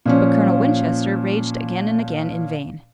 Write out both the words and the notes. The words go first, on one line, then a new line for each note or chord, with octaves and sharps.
But Colonel Winchester raged again and again in vain.
A#2 F3 C#4